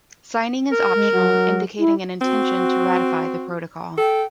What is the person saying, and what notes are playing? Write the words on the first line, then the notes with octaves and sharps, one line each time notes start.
Signing is optional, indicating an intention to ratify the Protocol.
A#4
G#3
F#3
E4
C4 F#4
A4 G5